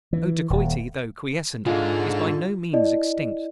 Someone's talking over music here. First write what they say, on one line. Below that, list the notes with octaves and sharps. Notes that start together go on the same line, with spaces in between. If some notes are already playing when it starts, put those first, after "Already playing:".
Oh, dacoity, though quiescent, is by no means extinct.
E3
D#1
G#2 D3 G#3 F4
E4 D5 D#5